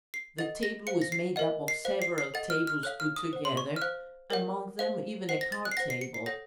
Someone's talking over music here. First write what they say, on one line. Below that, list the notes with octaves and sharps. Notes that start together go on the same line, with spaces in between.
The table was made up of several tables put together, among them even a card-table.
C7
A4 D#5 F#5 A6
A#6
C5 F5 C#7
A#6
C7
A#4 D#5 F#5
C7
C5 F5
C7
C7
A4 D#5 F#5 A6
F6
F6
A4 C#5 F5 F#6
F6
D#6
C5 F#5
C6
C#6
F6
C5 F5 F#6
A#4 C#5 F#5
C5 F5
C5 F#5 C7
A#6
A6
F#6
C7
C5 F#5 A#6
C7
C#7
C7
A4 C#5 F#5 A#6